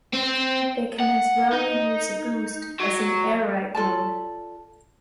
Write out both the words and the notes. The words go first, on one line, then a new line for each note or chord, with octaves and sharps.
They can as well use a boost, as in Air Ride mode.
C4
F#5
D#4
F#3
F4 A4 D5 A5